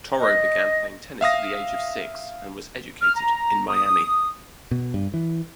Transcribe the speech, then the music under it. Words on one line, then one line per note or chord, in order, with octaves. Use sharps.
Toro began playing tennis at the age of six and was educated in Miami.
D#5
E5 F5 D#6 A#6
F6
A#5
D#6
B2
G2
E3